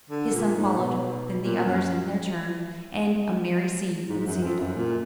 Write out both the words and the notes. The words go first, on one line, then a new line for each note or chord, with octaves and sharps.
His son followed, then the others in their turn, and a merry scene ensued.
D3
A#2
G#2
B2
A#2
F#2
G#2
G#2
F#2
F2
F#2
A#2